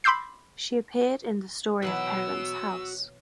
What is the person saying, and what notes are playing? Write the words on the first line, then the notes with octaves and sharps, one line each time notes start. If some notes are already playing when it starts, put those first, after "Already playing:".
She appeared in "The Story of Parents House".
B5 C6 D6 E6 G6 C7
B2 E3 F#3 F#4 B5 E6